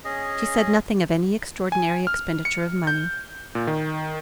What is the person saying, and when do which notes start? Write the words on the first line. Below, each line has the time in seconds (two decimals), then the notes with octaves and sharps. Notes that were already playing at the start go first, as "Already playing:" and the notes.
She said nothing of any extraordinary expenditure of money.
0.05 C#4 G#4 D#5
1.72 G#5
2.07 F6
2.45 C#7
2.87 G6
3.55 A#2
3.67 D#3